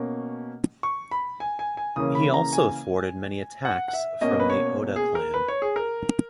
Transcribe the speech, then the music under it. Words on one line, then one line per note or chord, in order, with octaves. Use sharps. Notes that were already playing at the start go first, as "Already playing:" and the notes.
He also thwarted many attacks from the Oda clan.
Already playing: B2 A#3 C#4
C#6
B5
G#5
G#5
G#5
C#3 E3 A#3 C#4 D#6
B5
A#5
G#5
F#5
F#5
E5
B2 A#3 C#4 D#5
B4
C#5
G#4
A#4
B4
C#5
G#4
A#4